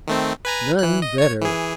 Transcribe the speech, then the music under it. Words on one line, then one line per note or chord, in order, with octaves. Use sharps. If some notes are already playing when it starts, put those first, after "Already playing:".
None better.
D#3 A3 C4
B4 G#5 A#5
E3 F#6
D#5
C#5 G#6
E3 G#4